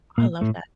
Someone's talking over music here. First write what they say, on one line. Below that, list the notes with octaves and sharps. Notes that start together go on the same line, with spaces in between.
I love that.
A#2 A#3
A2 A3